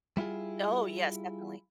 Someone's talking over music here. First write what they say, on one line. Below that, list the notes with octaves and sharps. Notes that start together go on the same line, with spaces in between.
Oh, yes. Definitely.
G3 E4 F4 G#4